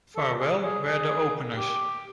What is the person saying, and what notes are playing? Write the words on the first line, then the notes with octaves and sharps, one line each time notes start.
Farewell were the openers.
A4
G#4
G#4
G#4
G4